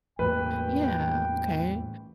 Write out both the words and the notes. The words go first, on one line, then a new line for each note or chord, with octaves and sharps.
Yeah, okay,
E2 A2 A#3 B4 G5